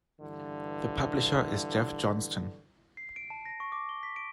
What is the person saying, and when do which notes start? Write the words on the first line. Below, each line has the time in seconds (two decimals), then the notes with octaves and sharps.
The publisher is Jeff Johnston.
0.20 G2 D3 E3
2.97 C7
3.16 D7
3.30 A5
3.45 A#6
3.60 C#6
3.72 D6
3.89 G7
4.03 B6
4.16 D7